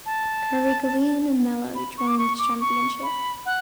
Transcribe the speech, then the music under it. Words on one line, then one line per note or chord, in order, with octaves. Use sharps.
Carrigaline and Mallow joined the championship.
A5
B5
C#6
D6
C#6
D6
C#6
B5
F#5